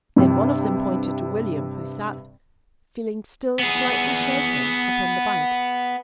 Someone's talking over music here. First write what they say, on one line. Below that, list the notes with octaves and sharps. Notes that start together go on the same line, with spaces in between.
Then one of them pointed to William, who sat, feeling still slightly shaken, upon the bank.
G2 C3 G5
B3 G#4